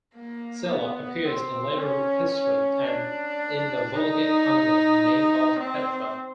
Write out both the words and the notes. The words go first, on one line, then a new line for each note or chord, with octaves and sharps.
Sela appears in later history and in the Vulgate under the name of Petra.
A#3
B3
C4
C#4
C#4
D4
D#4
C4